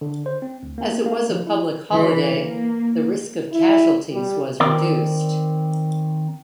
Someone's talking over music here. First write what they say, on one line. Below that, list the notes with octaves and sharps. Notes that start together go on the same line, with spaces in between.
As it was a public holiday, the risk of casualties was reduced.
D3
C5
C4
D2
A#3
A#3
F3
E4
E3
A#3
E4
G3
D#3 C4 A#4 D5